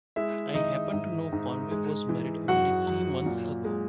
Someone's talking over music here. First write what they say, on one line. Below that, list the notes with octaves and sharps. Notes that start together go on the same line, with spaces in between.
I happen to know Conway was married only three months ago.
G#3 E4 E5
D#3 D#4 D#5
G#2
G#2
G#3
E3
F#2 F#4 F#5
F#2
A#2
G#3